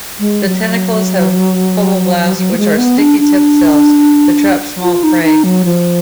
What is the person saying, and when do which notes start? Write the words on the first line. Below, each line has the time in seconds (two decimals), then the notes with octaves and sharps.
The tentacles have colloblasts, which are sticky-tipped cells that trap small prey.
0.20 G#3
0.47 F#3
2.38 F#3
2.52 A#3
2.58 G#3
2.78 B3
2.98 D4
3.19 D4
4.83 F4
5.04 D#4
5.24 D#4
5.44 F#3
5.65 F3